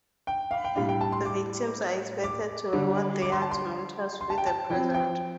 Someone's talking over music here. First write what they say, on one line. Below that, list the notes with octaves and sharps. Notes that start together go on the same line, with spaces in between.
The victims are expected to reward their tormentors with a present.
G5
F5
G5
A2 G3 D4 F5
G5
A5
C6
D6
D6
D3 G3 D4
D6
C6
A5
C6
C6
A5
G5
A5
F3 C4 G5
G5